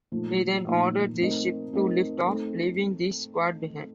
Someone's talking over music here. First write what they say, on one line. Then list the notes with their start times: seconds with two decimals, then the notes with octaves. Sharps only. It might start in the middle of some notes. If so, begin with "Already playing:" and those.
He then orders the ship to lift off, leaving the squad behind.
0.12 A#2 F3 A3 D#4
0.66 A#2 F3 A3 D#4
1.20 A3 C4 D#4 A#4 D#5
1.73 A3 C4 D#4 A#4 D#5
2.26 A3 C4 D#4 A4